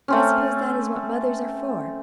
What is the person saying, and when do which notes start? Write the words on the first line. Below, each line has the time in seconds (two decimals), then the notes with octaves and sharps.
"I suppose that is what mothers are for!"
0.08 A3 C4 C#4